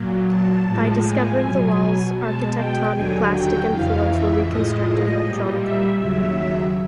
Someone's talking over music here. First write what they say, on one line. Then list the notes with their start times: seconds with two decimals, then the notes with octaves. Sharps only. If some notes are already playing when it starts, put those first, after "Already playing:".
By discovering the walls, architectonic plastic and floors were reconstructed electronically.
Already playing: A#2 F#3
0.27 A5
0.65 A2 F3 G#3
1.03 G#5
1.41 B2 F#3
2.17 B2 G#3 A5
2.56 G5
2.93 D#2 D3 F#3 G#5
3.31 G5
3.69 F2 C#3 E3 F5
4.07 E5
4.46 A2 F3 G#3 D#5
5.21 A#2 G3
5.59 E5
5.97 D#2 C#3 F#3 E5